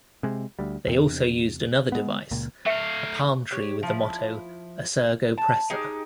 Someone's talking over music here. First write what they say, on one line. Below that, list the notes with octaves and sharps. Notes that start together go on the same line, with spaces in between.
They also used another device, a palm tree with the motto, "Assurgo pressa".
C3 G#3
D2 G3
E2 C3
G#3 B3
C#2 A#2
A3 E5 F5
G4 C#5
F3 E4
A5
D#4 G4 G#4